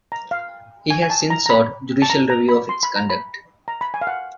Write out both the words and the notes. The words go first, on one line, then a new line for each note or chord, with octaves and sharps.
He has since sought judicial review of its conduct.
A#5
F5
G#5
G#5
A5
A#5
A#5
B5
A5
A#5
A#5
B5
C6
B5
A#5
B5
A#5
B5
G#5
F5
F#5